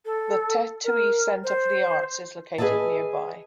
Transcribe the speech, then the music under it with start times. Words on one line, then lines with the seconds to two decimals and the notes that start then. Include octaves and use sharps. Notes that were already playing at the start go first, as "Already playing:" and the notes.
The Te Tuhi Centre for the Arts is located nearby.
0.05 A4
0.84 A#4
1.44 C5
2.58 G#4 B4 D#5 E5 A5